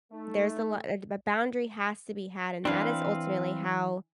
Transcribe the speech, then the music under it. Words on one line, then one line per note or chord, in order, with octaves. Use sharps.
There's a li a boundary has to be had, and that is ultimately how
A3 D#4
E3 C4 D4 B4 F5